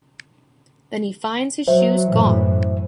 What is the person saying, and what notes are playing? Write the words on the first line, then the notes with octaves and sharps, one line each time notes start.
Then he finds his shoes gone.
F#3 C5 E5
F#2 A2 E3